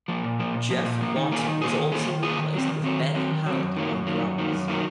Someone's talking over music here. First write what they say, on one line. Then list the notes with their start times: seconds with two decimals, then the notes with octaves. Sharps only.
Jeff Watson was also replaced with Ben Hallet on drums.
0.08 F3 A#3
0.24 A#2
0.39 F3 A#3
0.54 A#2
0.70 F3 A#3
0.85 A#2
1.01 F3 A#3
1.16 D#3
1.31 A#3 F4 G#4
1.47 D#3
1.61 A#3 F4 G#4
1.77 D#3
1.92 A#3 F4 G#4
2.07 D#3
2.23 A#3 F4 G#4
2.38 D#3
2.53 F#3 C4
2.69 D#3
2.84 F#3 C4
3.00 D#3
3.15 F#3 C4
3.31 D#3
3.46 F#3 C4
3.61 F#2
3.76 D#3 F#3 A#3
3.92 F#2
4.06 D#3 F#3 A#3
4.22 F#2
4.38 D#3 F#3 A#3
4.53 F#2
4.68 D#3 F#3 A#3